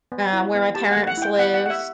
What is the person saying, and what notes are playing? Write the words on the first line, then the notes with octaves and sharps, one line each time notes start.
um, where my parents live,
B3
E4
B3
G4 A5
F#5
A3
F#5
E4 G5
B3 F#5
F#5
G4
F#5
E5